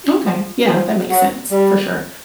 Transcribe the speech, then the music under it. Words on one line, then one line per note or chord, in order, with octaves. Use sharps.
Okay. Yeah, that makes sense, for sure.
F3
F3
F#3
G3